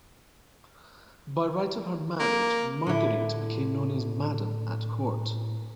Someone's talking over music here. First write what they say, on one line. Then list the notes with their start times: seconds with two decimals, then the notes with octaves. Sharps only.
By right of her marriage, Marguerite became known as "Madame" at court.
2.20 A#3
2.86 A2 D3 E4